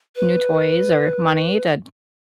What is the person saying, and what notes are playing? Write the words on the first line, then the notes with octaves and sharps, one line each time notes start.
new toys or money that
B4